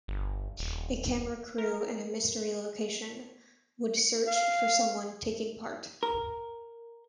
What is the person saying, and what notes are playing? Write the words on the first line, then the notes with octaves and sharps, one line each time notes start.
A camera crew in a mystery location would search for someone taking part.
G1
D#1
A#4
F5
A#4